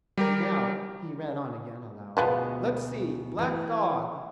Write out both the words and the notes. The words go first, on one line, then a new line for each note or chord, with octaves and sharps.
And now," he ran on again, aloud, "let's see--Black Dog?
G3 G4 A#4
D2 B2 F3 G#3 B3
E3 A3